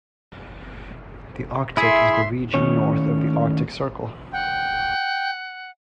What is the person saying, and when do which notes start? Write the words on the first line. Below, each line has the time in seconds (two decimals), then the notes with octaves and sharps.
The Arctic is the region north of the Arctic Circle.
1.77 E4 G#4 E5 C6
2.54 A2 D#3 C#4 C#5
4.33 F#5 G5